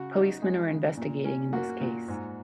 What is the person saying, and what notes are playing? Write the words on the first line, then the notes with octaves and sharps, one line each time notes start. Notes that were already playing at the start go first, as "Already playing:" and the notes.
Policemen are investigating in this case.
Already playing: C#3 F#4
D#4
G#3
C#3
A#2
C#4
A#3 F#4
A#2
G#2